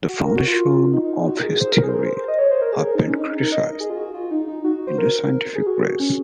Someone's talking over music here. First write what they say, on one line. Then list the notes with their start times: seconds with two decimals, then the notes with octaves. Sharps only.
The foundations of his theory have been criticised in the scientific press.
0.09 F#4
0.25 A#4
0.36 F#4
0.48 F4
0.93 D#4
1.04 D#4
1.15 D#4
1.27 F#4
1.39 A#4
1.44 G#4
1.60 C5
1.72 A#4
1.83 G#4
1.89 C5
1.94 A#4
2.06 C5
2.17 C5
2.28 D#5
2.39 C#5
2.51 C5
2.62 A#4
2.73 G#4
2.84 A#4
2.95 D#4
3.07 C#4
3.18 D#4
3.30 D#4
3.41 A#4
3.52 D#5
3.80 G#4
3.90 F4
3.97 F#4
4.14 F4
4.31 D#4
4.48 D#4
4.64 F#4
4.87 C5
4.98 A#4
5.55 G#4
5.66 F#4
5.99 C#4